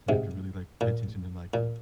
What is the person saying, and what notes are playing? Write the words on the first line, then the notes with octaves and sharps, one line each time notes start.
so I have to really, like, pay attention to, like,
G#2 C3
A#2
A#2